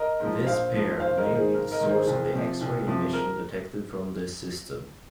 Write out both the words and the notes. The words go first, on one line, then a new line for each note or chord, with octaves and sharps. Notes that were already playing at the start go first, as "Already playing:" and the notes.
This pair may be the source of the X-ray emission detected from this system.
Already playing: A#4 D#5
G#2 F3
A#1 C5 F5
G#2 F3
G#1 C5 F5
A#4 D#5
G#2 D#3
G#4 C5
G#1 A#4
A#4 D#5
G#2 D#3
G#4 C5
C2
C3 F3
C2
C3 F3
A#4